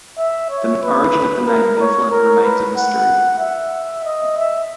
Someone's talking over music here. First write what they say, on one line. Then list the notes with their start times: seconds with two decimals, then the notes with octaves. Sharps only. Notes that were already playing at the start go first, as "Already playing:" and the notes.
The origin of the name 'Evelyn' remains a mystery.
0.17 E5
0.50 C#5
0.82 B4
1.46 A#4
1.79 C#5
2.10 A#4
2.43 B4
2.76 F#5
3.39 E5
4.04 D#5
4.37 E5